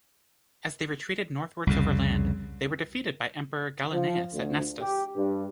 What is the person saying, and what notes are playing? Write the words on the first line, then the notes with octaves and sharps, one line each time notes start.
As they retreated northwards over land, they were defeated by Emperor Gallienus at Nestos.
C2 F2 C#3
F3
D2
G4
G2